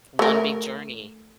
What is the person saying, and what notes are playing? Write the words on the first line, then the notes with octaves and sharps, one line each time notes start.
one big journey.
A3 A#4